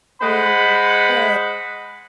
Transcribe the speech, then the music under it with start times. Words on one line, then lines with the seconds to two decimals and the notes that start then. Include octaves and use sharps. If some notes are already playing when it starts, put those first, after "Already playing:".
Mm. Good
0.21 G#3 C5 F#5 B5